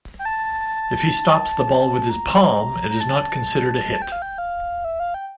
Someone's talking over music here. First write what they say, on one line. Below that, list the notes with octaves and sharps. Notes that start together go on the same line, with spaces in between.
If he stops the ball with his palm, it is not considered a hit.
G5
A5
A#5
A#5
A5
A5
G5
F5
G5
F5
E5
F5
G5